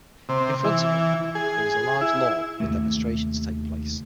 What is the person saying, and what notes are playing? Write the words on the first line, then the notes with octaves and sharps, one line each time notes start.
In front of it there is a large lawn where demonstrations take place.
C3
E3
G#4
E4
D#2 C3 A3